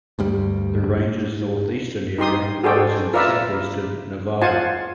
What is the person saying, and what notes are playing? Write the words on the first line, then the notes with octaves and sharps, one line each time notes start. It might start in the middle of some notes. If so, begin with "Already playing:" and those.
The range's northeastern area lies in southeastern Nevada.
D2 G2 G3
D#4 G4 C6 D#6
F#4 G#4 A4 C5 D5 G5
F4 A#4 B4 D5 E5
F4 C5 F#5 G#5 A5